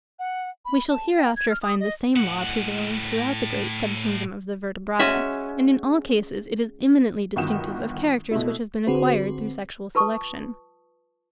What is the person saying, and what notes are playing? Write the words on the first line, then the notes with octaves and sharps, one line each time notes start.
We shall hereafter find the same law prevailing throughout the great sub-kingdom of the Vertebrata; and in all cases it is eminently distinctive of characters which have been acquired through sexual selection.
F#5
B5
A5
G5
G#6
F6
D#6
D#5
A2 F#5
G#3 C#4 F#4 E5
G1 D#3 F#4 G5 D#6 E7
B2 A3 E4
D3 C4 F#4 G#4 B4 C5
F4 B4 A5 C#6 D#6